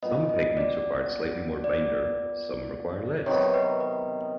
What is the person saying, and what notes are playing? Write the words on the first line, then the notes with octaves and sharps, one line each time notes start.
Some pigments require slightly more binder, some require less.
A#2 G3 B3 D#5
D#5
D5
D5
C3 D#3 F#3 B3 C#5
B4
B4